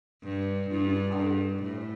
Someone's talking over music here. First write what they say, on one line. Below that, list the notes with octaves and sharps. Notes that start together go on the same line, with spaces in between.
to other people
G2
G2
G2
A2